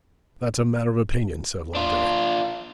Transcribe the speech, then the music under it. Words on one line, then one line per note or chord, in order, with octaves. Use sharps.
'That's a matter of opinion,' said Loveday.
D4 F4